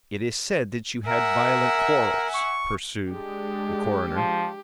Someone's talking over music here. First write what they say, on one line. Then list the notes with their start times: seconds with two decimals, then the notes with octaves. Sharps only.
"It is said that you had violent quarrels," pursued the coroner.
1.06 A#4 E5 F#5 G#5
2.34 C#6
3.12 G#3 D4 G4
4.16 F3